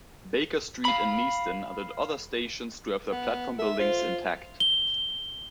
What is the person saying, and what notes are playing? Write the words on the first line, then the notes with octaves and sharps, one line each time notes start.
Baker Street and Neasden are the other stations to have their platform buildings intact.
F5 B5
B3
A4 E5
F4 C5
G7